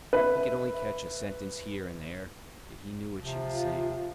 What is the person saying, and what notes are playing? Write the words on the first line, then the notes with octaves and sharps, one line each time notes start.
He could only catch a sentence here and there, yet he knew what she was saying....
B4 E5
C3 F3 F4